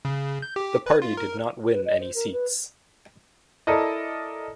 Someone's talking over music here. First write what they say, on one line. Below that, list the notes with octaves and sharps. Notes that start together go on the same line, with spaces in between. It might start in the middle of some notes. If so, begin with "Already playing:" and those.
The party did not win any seats.
C#3
G6
G4
B4
F4
A#4
B4
D#5
C5
A#4
B4
E4 A4 A#4 D5 D#5